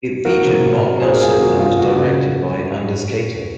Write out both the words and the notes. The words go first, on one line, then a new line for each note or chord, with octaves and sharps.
It featured Mark Nelson, and was directed by Anders Cato.
A#3 F#4 A#4
C3
C3
F#3
A#3 G#4 C5
A#4
F#3 F4 G#4
C3 F#4
A#3 F4
C#3 F#4
C#3